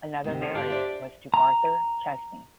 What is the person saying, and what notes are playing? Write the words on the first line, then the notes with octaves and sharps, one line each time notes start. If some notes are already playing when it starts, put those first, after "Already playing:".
Another marriage was to Arthur Chesney.
D2 C3
D3 F3 C#4
D3 D4 F4 G4 F5
C5 D5 E5
A#5